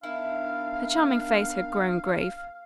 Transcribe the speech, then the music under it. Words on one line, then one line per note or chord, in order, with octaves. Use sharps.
Her charming face had grown grave.
D#3 B3 D4 E4 F5